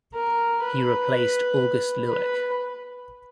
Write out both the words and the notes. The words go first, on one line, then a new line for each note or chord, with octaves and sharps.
He replaced August Luik.
A#4
B4
B4